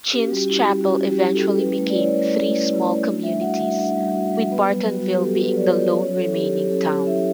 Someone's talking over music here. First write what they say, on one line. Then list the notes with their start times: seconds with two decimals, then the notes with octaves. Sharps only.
Chinn's Chapel eventually became three small communities, with Bartonville being the lone remaining town.
0.13 C#4 G4
0.26 F#4
0.31 G3
0.37 G4
0.49 E4
0.67 G3
0.81 F#4
0.86 C#4 G4
1.05 G3
1.10 G4
1.23 E4
1.35 A4
1.41 G3
1.59 C#4 B4
1.78 A3
1.90 D5
1.95 E4 C#5
2.14 A3
2.33 C#4
2.51 A3
2.69 E4
2.87 A3
3.06 D4
3.23 G3 E5
3.42 F#4 F#5
3.61 G3 E5
3.78 D4 F#5
3.97 G3
4.15 F#4
4.33 G3
4.52 B3 B4
4.70 F#3
4.89 F#4
5.02 F#3 F#4
5.14 G4
5.24 B3 A4
5.43 F#3 B4
5.57 D5
5.61 F#4 C#5
5.79 F#3 D5
5.98 C#4 C#5
6.16 F#3 A4
6.34 E4 G4
6.52 F#3 G4
6.70 C#4 A4
6.83 A4
6.89 F#3 G4
7.07 E4 E5